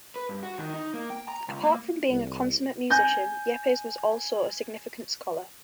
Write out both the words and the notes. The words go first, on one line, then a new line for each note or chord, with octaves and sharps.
Apart from being a consummate musician, Yepes was also a significant scholar.
B4
G2
F#4
D#3
D#4
A#3
G5
A#5
C#2
A#3
C2
G#5 G6 A#6